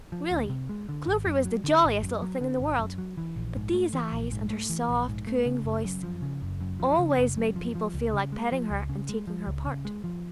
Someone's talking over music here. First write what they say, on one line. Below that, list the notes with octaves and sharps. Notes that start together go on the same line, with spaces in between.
Really, Clover was the jolliest little thing in the world; but these eyes, and her soft cooing voice, always made people feel like petting her and taking her part.
F3
D2
C3
G#3
D3
G#1
F#2
F#3
D3
G#1
F#2
F#3
D3
G#1
F#2
F#3
E3
A#1
G#2
A3
E3
A#1
G#2
A3
E3
A#1
G#2
A3
C#3
F#1
F#2
F3
C#3
F#1
F#2
F3
C#3
F#1
F#2
F3
F3
C#2
C#3
G#3
F3
C#2
C#3
G#3
F3
C#2
C#3
G#3
F3